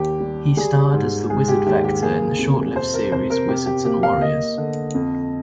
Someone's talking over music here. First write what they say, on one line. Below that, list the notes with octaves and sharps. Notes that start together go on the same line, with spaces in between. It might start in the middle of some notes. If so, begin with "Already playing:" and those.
He starred as the wizard Vector in the short-lived series "Wizards and Warriors".
Already playing: D#2 G4
G3
G3 G#4
G#2
G#3 G#4
G4
D#2 G4
G4
A#3 G#4
C3
F2 C5
A#4
C3 C5
A#4
C3 G4
G4
A#3 G4
F5
A#3 D#5
D3
F2